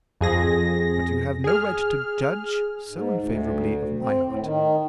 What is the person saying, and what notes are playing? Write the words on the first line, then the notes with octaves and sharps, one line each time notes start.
But you have no right to judge so unfavorably of my heart.
F2 G#4 A#6
G#4 F6
G#2
D2
C4
A2
D#3